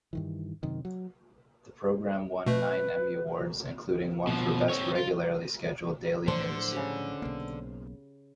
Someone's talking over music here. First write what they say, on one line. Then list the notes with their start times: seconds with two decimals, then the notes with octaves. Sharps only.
The program won nine Emmy Awards, including one for Best Regularly Scheduled Daily News.
0.13 G2 D#3 E3
0.63 F#2 C3 D#3
0.85 F#3
2.46 B2 A3 B4
4.27 B2 F3
4.70 C4 C#5
4.95 F4
6.28 A2 D3 F3 F#3 C5 A5
6.72 C#3 G4
7.22 B1 A#3